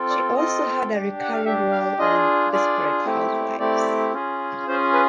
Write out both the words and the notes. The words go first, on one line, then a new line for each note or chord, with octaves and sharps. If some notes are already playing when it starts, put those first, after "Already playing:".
She also had a recurring role on "Desperate Housewives".
Already playing: C4 F4 A4
D5
C4 F4 A4 D#5
D4 G4
F#5
F5
D4 G4 E5
F5
D4 F4 G#4 D#5
D4 F4 G#4 D5
A3 C4 E4 G4
A3 C4 E4 G4 D5
C#4 F4 G#4
C#4 F4 G#4 C5
B4